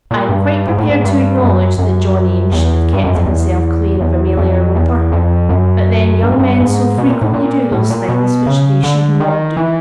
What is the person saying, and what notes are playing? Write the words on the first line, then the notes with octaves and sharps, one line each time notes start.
I am quite prepared to acknowledge that John Eames should have kept himself clear of Amelia Roper; but then young men so frequently do those things which they should not do!
A#2
G2
G#2
A2
G#2
G2
F#2
F#2
E2
G2
F#2
F2
E2
E2
F2
E2
F2
F#2
G2
G#2
G2
G#2
B2
A#2
A2
A#2
A2
A#2
B2
C#3
D3
D#3
E3